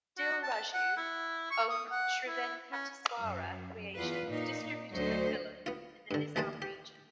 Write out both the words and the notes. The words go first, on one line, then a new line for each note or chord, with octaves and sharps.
Dil Raju–owned Sri Venkateswara Creations distributed the film in the Nizam region.
F#4
A5
F#5
E4
C#6
D#6
F#5
E4
C#4
F#2
E2 F4 B4
A#2 D#4
D2 F#3 A3 C5 D#5
B3 F4
G2 D3
B1 E3 G3 A#3 B4 A5
G4